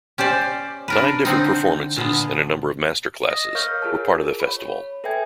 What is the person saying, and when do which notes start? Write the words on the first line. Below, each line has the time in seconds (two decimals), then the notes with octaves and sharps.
Nine different performances and a number of master classes were part of the festival.
0.18 C#4 G4 C5 D5
0.88 D4 A#4 B4
1.25 D3 C4 D#4
1.96 A#2 D3 B3
3.30 D#5 D#6 A#6
3.55 A#4 C#5 F5 C#6 F6 G6
3.82 F4 G#4 A#4 A5
4.40 C#5 B5
5.04 A4 B4 E5 G5 G#5 G#6